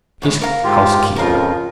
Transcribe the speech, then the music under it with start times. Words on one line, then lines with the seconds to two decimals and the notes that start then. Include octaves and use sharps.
She's housekeeper.
0.22 F#2 A2 G#3
0.42 A#4 F5
0.64 G#2 F4 G4
1.16 F2 C#3 F3 F4 A#4